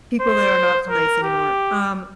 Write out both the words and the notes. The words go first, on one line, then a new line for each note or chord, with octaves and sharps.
people there are not so nice anymore. Um,
C5
A#4
G4